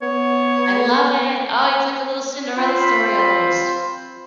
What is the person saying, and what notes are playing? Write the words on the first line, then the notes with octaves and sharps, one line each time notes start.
I love it. Oh, it's like a little Cinderella story, almost.
B3 C#5
C4 F4 C5 B5